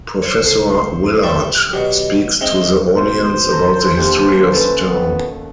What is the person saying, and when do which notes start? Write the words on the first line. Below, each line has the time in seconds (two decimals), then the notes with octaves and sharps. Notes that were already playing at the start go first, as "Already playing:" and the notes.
Professor Willard speaks to the audience about the history of the town.
0.22 C5 C#5
0.43 C#2 A4 C7
1.23 G4 D5 E5
1.73 B2 F#3 G4 D5 D#5
2.41 G#3 C4 D#4 D#5 E5
2.96 B2 C5
3.50 A4 A#5 G6
3.97 D#2 D4 G4 F6
4.52 C#4 A4 B4
4.87 B3